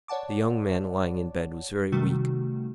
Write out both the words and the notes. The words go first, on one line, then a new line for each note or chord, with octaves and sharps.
The young man lying in bed was very weak.
C#5 D5 F#5 A5 D6
C3 D#3 G3 A3 F#4